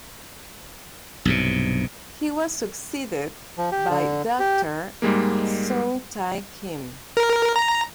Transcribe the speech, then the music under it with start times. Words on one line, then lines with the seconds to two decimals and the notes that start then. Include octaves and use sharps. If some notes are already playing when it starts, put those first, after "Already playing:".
He was succeeded by Doctor Seung Tae Kim.
1.25 B1 G2 C3
3.58 F3
3.72 G4
3.90 D3
4.39 G4
5.02 G#2 G3 G#3 A#3
7.17 A#4
7.56 A#5